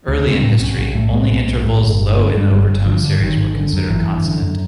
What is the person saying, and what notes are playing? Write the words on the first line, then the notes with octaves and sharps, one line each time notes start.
Early in history, only intervals low in the overtone series were considered consonant.
D2
C#3 C4
A2 B3
B1 C#4
B1
A2 A3
A2 G#3
B1
B1
A2
G1
G1
D3
G2
G1 G3
G1
D3 F3
G2 D3
G#1 D#3
G#1
D3
F#2
G#1 E3
G#1
D3
F#2